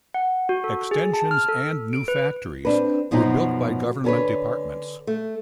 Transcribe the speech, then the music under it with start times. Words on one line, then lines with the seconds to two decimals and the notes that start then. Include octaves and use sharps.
Extensions and new factories were built by government departments.
0.14 F#5
0.49 F#4
0.64 A4
0.91 G#4
1.14 A5
1.31 F6
1.49 A4
1.93 D7
2.08 B4
2.65 C4 D4 B4
3.11 F#2 B2 F3 F#3 D#4
4.04 D3 C#4 A4 B4 C#5
5.07 A3